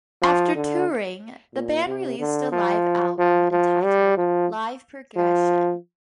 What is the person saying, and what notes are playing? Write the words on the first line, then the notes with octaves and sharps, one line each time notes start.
After touring, the band released a live album entitled "Live Progression".
F3
D3
A#2
C3
D3
F3
F3
F3
G3
F3
F3